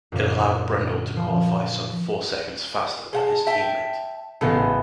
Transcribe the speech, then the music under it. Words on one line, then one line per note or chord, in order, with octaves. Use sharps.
It allowed Brundle to qualify some four seconds faster than his team mate.
F#2 A#2 D3
F3
G#3 F#5 A5
E5 G5 A5
A1 C#3 G#3 B3 A4